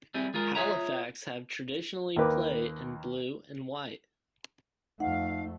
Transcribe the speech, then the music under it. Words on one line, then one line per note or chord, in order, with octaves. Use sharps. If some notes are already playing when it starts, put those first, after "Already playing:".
Halifax have traditionally play in blue and white.
G3 C4 E4 G#4
G#3 F4 G#4 A#4
F4 G#4 C#5 E5 A#5
D#2 A#3 A#4 B4 D6
F2 A3 D#4 F5 F#5